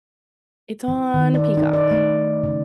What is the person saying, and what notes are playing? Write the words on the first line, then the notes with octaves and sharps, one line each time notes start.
It's on Peacock,
E3
D#3
D5
D#4
D5
A3
C#3